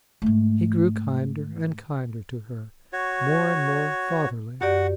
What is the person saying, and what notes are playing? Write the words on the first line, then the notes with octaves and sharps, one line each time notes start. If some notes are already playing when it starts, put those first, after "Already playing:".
He grew kinder and kinder to her, more and more fatherly.
G#2 A3
F#4 C#5
F#2 F#4 G4 D5 F#5